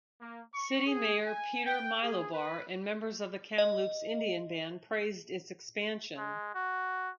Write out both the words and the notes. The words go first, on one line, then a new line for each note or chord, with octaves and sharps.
City mayor Peter Milobar and members of the Kamloops Indian Band praised its expansion.
A#3
C#6
G#4
G#5
G5
G#4
B4
D#5
G#3
F#4